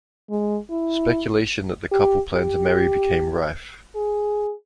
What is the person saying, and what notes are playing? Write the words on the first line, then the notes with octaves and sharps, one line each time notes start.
Speculation that the couple planned to marry became rife.
G#3
E4
G4
G4
G#4